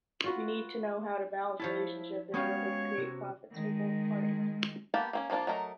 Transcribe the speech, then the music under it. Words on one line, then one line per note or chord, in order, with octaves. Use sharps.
You need to know how to balance the relationship in order to create profits for both parties.
F4 F#4 B4
F3 E4 C#5 A5
G#3 B3 C#4 F#4 G4 C#5 F5
C3 F#4
D#3 G#3
A#3 B3 G4 F5 A5
A#3 C4 C#4
F3 A#3 C#4 D4 F4
F#3 A3 A#4 D#5